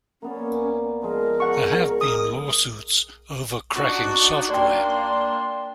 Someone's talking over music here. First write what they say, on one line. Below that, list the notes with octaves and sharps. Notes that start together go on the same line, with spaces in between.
There have been lawsuits over cracking software.
A#3 B3 C#4 D5
F3 G#3 A#4
F#5 C#6
A#4 D#6
D4 D#4 F#4
A#3 D4 D5 G5 C6